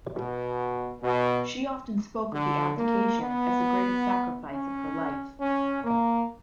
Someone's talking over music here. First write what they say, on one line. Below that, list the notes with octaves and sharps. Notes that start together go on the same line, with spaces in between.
She often spoke of the abdication as the greatest sacrifice of her life.
B2
B2
D3
A#3
B3
C#4
C#4
A#3